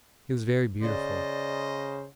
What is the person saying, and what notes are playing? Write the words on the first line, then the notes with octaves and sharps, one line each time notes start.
He was very beautiful.
C#3 C5 D5 D#5